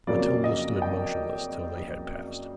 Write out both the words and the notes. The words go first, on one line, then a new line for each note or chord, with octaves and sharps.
Matilda stood motionless till they had passed.
F2 C#3 F#3 A#3 D5
D#5
G5